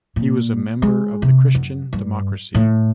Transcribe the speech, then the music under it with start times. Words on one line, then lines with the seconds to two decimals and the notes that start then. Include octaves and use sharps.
He was a member of the Christian Democracy.
0.16 A#2
0.82 G#3
1.22 C3
1.55 F#2
1.93 G2
2.55 A2